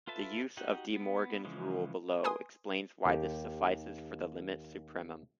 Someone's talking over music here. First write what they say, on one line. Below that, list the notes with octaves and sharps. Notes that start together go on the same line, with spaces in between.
The use of DeMorgan's rule below explains why this suffices for the limit supremum.
F4 A4 B4 E5 A5
D#4 F#4 G4 F#5
B3
C#3 E3 F3 G#3
B4 G#5 C6 D#6
D#2 G4